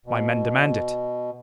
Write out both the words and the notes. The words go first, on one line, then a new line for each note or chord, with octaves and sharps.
My men demand it.
B2